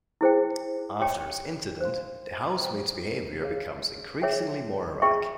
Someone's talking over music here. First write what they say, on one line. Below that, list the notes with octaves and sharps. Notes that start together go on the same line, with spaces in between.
After this incident, the housemaid's behavior becomes increasingly more erratic.
E4 G#4 C5 G5
G4 C#5 G5
C5 F5 C6
C5 G5 A#5
G#4 C#5 F5
G#4 C#5 E5 G5
F4 G#4 E5 G5 C#6